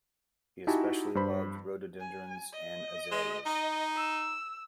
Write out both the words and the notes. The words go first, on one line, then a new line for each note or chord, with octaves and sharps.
He especially loved rhododendrons and azaleas.
D#4 E4 F#4 G4 G#5 A5
G2 C5 B5
G#5
D#5
G#3
D#4 D#5
E6